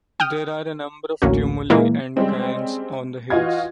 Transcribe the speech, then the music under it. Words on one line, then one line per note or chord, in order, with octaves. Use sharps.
There are a number of tumuli and cairns on the hills.
G5 D#6 F6
A1 D2 A#3 C#4 F#4
A#2 E3 G#3 A#3
G3 G#3 C4 C#4
E3 F4 F#4 D#5 F5 G#6